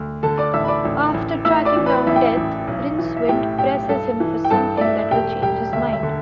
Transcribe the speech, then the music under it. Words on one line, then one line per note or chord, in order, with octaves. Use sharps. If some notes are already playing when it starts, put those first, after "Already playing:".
After tracking down Death, Rincewind presses him for something that will change his mind.
Already playing: D2
D3 A4 A5
D5 D6
A1 E5 E6
B5
D5 D6
A1
A1
A2 E5 E6
D5 D6
E3
B4 B5
A1 E5
G5
E5
A1
B1
E3
E5
A2 G4 G5
B1 G4 G5
G2 A4 A5
E3
G5
G2 A4 A5
D5
A3 E5
E1 G4 G5
E1 G4 G5
D2 E5
E5
D3